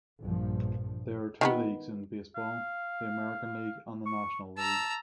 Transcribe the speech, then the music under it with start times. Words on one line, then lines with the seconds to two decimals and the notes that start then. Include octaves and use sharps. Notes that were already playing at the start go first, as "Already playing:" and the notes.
There are two leagues in baseball, the American league, and the National League.
0.22 A#1 G2 F3
1.41 D#3 F3 B3
2.36 F5
4.06 C#6
4.57 A5 A#5 E6